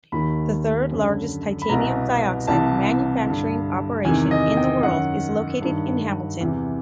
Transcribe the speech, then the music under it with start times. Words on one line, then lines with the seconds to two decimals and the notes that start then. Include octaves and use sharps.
The third largest titanium dioxide manufacturing operation in the world is located in Hamilton.
0.12 D#2 D#3 B5
0.91 F#2 D3
1.62 B5
1.69 C2 B2 A#5
2.47 C2 C3 E3 A5
3.26 G2 D3
4.05 E2 C3 D#3 G#5
4.31 D#5
4.57 G5
4.83 F#2 D#3 F#5
5.62 G2 D#3
6.40 E2 C3 E3